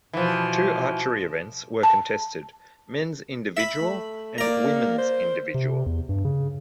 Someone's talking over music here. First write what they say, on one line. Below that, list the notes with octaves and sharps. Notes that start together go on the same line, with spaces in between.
Two archery events were contested: men's individual and women's individual.
B2 E3 F3
A5
E5 B5
A3
A#3 D5 A#5
C5
C3
E2
G2
C#3